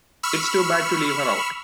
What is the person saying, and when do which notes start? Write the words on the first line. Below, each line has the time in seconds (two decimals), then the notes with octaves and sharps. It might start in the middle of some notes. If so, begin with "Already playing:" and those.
It's too bad to leave her out.
0.23 B5 C#6 E6 F6